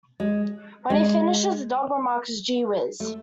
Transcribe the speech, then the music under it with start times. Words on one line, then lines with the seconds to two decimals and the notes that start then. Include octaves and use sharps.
When he finishes, the dog remarks, Gee whiz!
0.20 G#3
0.90 G#3
3.00 A3